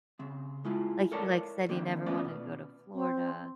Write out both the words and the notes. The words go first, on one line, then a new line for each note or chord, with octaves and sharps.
Like, he, like, said he never wanted to go to Florida
C#3 C4
G#3 E4 F4
A4 A#4 C#5 D5 A5
D#3 A#3 C4 D4
C#2 A3 B3 C#4 F4 D5
B2
C4